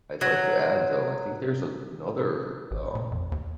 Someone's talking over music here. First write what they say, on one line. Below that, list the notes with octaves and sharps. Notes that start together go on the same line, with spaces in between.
I'd like to add, though, I think there's another, um,
F#3
A1
A#2
F2
D#2